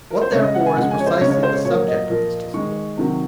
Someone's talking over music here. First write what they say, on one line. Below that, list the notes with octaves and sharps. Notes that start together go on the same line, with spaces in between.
What therefore is precisely the subject of this discourse?
A#4
C5
C#3 G#3 C#5
D#5
F#5
G#5
C#3 F3 G#3 F#5
G#5
C#5
C5
C#3 G#3 C#5
C#5
C5
C#5
A#2 F#3 A#3 C#5
D#5
A#2 F3 A#3
D#3 G#3 C#6
C3 D#3 F#3